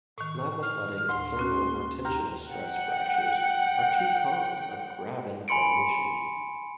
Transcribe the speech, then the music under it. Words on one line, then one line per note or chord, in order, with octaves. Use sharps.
Lava flooding and thermal or tensional stress fractures are two causes of graben formation.
A2 D#3 C#6
F6
D2 A2 C6
A#3 C#4 F#4
D#2 G4 A#5 F6
F#5 G5
G#5 B5 C6 C#7 D7